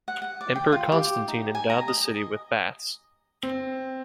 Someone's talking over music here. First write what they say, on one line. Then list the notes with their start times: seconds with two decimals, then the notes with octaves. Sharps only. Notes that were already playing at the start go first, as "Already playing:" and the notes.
Emperor Constantine endowed the city with baths.
0.08 F#5
0.22 F#5
0.41 D5
0.56 G5
0.72 F4
0.92 G4
1.28 D#4
1.55 G#5
1.70 A#5
1.88 D#5
3.43 C4